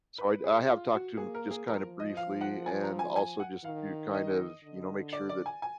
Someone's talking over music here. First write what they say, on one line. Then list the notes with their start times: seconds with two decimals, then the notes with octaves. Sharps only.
So I'd I have talked to him just, kinda, briefly and also just to kind of, you know, make sure that,
0.18 B4
0.44 G#4
0.68 F4
0.94 F#4
1.17 A#3 G#4
1.35 A#4
1.51 G#4
1.67 F3 A#4
2.00 D#5
2.17 F5
2.41 F#5
2.66 G#5
2.83 A#5
2.99 G#5
3.16 G#5
3.40 F#5
3.64 D#3 F5
4.14 D#5
4.63 D3
5.13 D5
5.29 D5
5.46 G#5
5.62 G#5